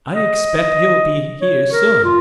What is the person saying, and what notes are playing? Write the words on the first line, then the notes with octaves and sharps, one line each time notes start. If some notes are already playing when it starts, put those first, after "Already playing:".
I expect he'll be here soon.
D#5
C#5
A#4
F4